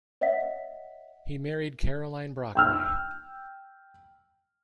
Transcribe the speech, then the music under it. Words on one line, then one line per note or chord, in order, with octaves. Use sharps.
He married Caroline Brockway.
C#5 D#5 E5 F#5 B6
G5 E6 F6